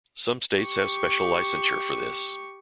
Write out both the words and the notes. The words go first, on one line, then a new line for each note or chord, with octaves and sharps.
Some states have special licensure for this.
G4 C#6